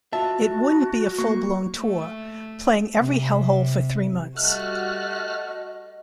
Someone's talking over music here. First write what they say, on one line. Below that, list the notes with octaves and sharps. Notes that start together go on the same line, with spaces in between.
It wouldn't be a full-blown tour, playing every hell-hole for three months.
F4 F#4 E5 A5
A#3 C#6
A3
C3
G3 A3 F#4 D#5 F6 F#6